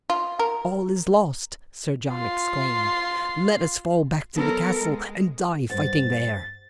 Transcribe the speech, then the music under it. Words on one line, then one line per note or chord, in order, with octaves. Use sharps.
"All is lost," Sir John exclaimed; "let us fall back to the castle and die fighting there."
F4
A#4
F4 C6
F#3 B3 A4 A#4
G#3
G2 C5 F#5 A6